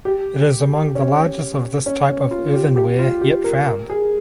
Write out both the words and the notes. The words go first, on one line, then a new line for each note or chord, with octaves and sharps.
It is among the largest of this type of earthenware yet found.
G4
C#4
C#4
C#4
F4
G4
G4
F4
G4
A#4
A#4
G#4